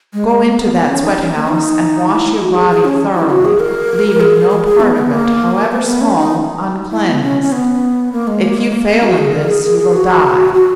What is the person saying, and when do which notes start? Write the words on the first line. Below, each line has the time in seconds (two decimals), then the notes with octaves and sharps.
Go into that sweat-house and wash your body thoroughly, leaving no part of it, however small, uncleansed. If you fail in this, you will die.
0.13 G#3
0.28 G#3
0.44 A#3
0.58 B3
0.73 B3
0.89 C#4
1.04 D#4
1.19 C#4
1.34 A#3
1.49 D#4
2.09 E4
2.39 F#4
2.54 G#4
2.70 G#4
2.85 C#4
3.15 E4
3.30 F#4
3.45 G#4
3.60 A#4
4.20 G#4
4.50 G#4
4.66 G#4
4.80 B3
4.96 B3
5.11 A#3
5.71 A#3
5.86 B3
6.01 C#4
6.16 D#4
6.92 E4
7.07 B3
7.22 C#4
7.41 C#4
7.52 B3
8.12 A#3
8.27 G#3
8.43 A#3
8.58 G#3
8.73 A#3
8.88 B3
9.03 F#4
9.18 G#4
9.33 A#4
9.48 G#4
9.63 G#4
9.78 G#4
9.93 F#4
10.53 F#4